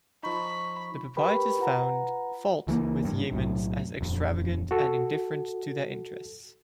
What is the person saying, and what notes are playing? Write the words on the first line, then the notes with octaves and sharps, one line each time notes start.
The proprietors found fault with Yeamans as extravagant and indifferent to their interests.
F3 D#4 B5 C#6
G4 A#4 B4 G5 B5 C#6
F4 B4 F#5 A#5
C#2 E3 F#3 A#3
G#1 G2
B1 F#2 A2
D#1 F2
F#4 A4